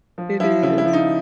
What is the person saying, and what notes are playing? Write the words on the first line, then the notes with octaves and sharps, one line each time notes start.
It is.
F3
F3 E4
C#3 E4
E4
F3
D#4